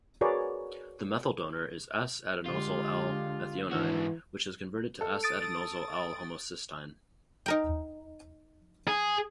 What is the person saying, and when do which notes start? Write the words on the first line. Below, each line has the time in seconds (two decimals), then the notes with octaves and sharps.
The methyl donor is S-adenosyl-L-methionine, which is converted to S-adenosyl-L-homocysteine.
0.21 F#4 G#4 A#4 B4 C#5 D5
2.46 D3 G#3 F4 G4
3.71 G#2 E3 D4 F#4
5.01 A4
5.23 D#6 A6 D7
7.46 D#4 A#4 G5
8.88 G#4